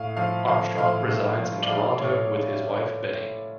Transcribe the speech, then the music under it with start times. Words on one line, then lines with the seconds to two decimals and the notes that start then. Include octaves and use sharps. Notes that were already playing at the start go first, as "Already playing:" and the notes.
Armstrong resides in Toronto with his wife Betty.
Already playing: A2 F5
0.17 F3 F5
0.47 F3 F5
0.78 A2 F5
1.08 A2
1.38 F3
1.63 D5
1.67 F3 F5
1.98 A2 C#5